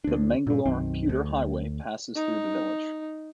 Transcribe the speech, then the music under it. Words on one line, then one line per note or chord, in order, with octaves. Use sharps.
The Mangalore-Puttur highway passes through the village.
D2 D4
G2 A#2
B1 F#2 D#3 C4
D2
D#4